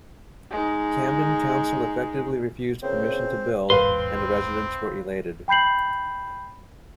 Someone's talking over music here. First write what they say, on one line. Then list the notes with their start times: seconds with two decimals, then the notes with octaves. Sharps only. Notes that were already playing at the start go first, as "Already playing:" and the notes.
Camden Council effectively refused permission to build and the residents were elated.
0.51 G#3 D#4
2.82 E2 A#2 C#3 C4 C5
3.70 D#1 G#1 G2 C4 B4 F5 C6
5.48 G5 B5 G6 C7 F#7